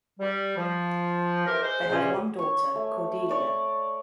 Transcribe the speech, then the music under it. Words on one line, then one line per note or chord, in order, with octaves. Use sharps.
They have one daughter, Cordelia.
G3
F3
E3 C4 G4 A#4
G#3 C5
E2 G2 A#2 C#3 C#4
C#5 C#6
A3
C#5 D5 C#6